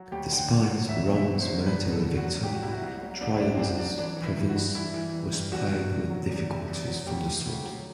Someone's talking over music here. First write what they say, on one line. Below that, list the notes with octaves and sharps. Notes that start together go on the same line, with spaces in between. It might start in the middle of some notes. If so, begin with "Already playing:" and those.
Despite Rome's military victory, Trajan's province was plagued with difficulties from the start.
Already playing: F#3
D2 G4
D3 G5
F#5
D2
F#5
F#3
E2 E5
B2
E5
E2
C5
F#3
E2 B4
B2
A4
E2
F#4
F#3
C2 G4
F#4
C3 E4
F#4
C2
F#3
C2 D4
E4
C3 D4
C4
C2 D4
F#3 D4
E3 D4
E3
E4
G2
F#4
G2
E3 E4
E3
G2
G2
E2 F#4
C3
E2
F#3
E2
C3
E2
F#3
D2 G4
C3
D2
F#3